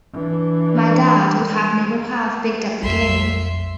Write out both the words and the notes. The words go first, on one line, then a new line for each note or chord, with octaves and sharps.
My dad would have never have picked up the game.
E3 D4
A#1 F2 E5 C6